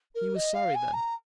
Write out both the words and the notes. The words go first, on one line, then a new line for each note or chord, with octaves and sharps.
He was sorry then.
A#4
D#5
F5
G#5
A#5